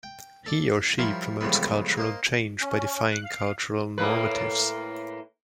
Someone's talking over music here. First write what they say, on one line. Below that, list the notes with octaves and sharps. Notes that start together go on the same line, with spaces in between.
He or she promotes cultural change by defying cultural normatives.
G5
A4 D5
F3 G3 E4 A#4 C5 C#5
F2 C#3 E3 G3 G#3 B3
A#3 C5 D#5
C#4
F#6
F5
A2 A#3 B4